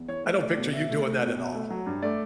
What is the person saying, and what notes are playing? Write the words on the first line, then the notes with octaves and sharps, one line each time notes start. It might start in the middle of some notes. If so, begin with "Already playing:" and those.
I don't picture you doing that at all.
Already playing: E2
E3 C#5
A3 C#5
A3 D5
B2
B2 E5
A3
A3
B2
B2
A3
F#3
G2
A3 D5